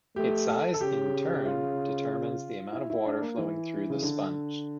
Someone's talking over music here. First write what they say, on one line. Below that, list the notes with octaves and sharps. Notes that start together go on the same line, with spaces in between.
Its size, in turn, determines the amount of water flowing through the sponge.
A3 G4
A4
A4
C#3 G4
G4
F4
E4
E4
D4
A#3
E3
C#3
D3